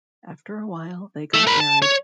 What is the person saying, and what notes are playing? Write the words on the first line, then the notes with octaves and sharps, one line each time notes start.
After a while, they got married.
A4 E5
A#4 B5
A5
C#5